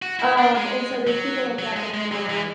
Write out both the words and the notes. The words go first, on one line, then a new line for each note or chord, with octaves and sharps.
Um, and so there's people like that that are in my life
F#4
E4
D4
G#3
F#3
F#3
G#3
G#3
F#3
E3